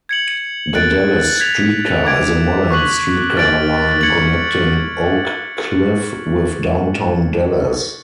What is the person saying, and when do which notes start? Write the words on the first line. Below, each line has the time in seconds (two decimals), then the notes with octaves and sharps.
The Dallas Streetcar is a modern-streetcar line connecting Oak Cliff with downtown Dallas.
0.09 G#6 C#7 F#7
0.75 F#6 A6 D7
1.40 G#6 B6 F7
2.05 D6 G#6 D7
2.71 C#6 F#6 B6 F#7
3.36 F6 A6 D7 F#7
4.01 G#6 C#7 F#7